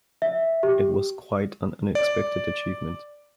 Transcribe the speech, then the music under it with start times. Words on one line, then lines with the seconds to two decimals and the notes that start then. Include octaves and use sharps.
It was quite an unexpected achievement.
0.22 E5
0.63 G4
1.95 D5